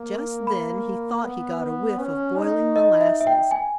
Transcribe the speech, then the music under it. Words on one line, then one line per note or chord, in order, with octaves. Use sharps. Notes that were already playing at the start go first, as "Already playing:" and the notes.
Just then he thought he got a whiff of boiling molasses.
Already playing: A#3
B5
B3
B3
C#4
D#4
D#5
E5
E5
G5
G#5